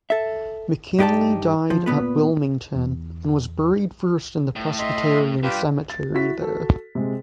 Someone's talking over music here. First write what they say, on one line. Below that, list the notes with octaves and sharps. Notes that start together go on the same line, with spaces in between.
McKinly died at Wilmington and was buried first in the Presbyterian Cemetery there.
A4 E5
G2 D#4 G4 A#4 D5 A5
F3
A#2 B3 B4
E2
A2
D#5 E5 C6
G2 G3 F4 G4 B4
A6
E4 F#4 B6
F#4 A4
C3 G#3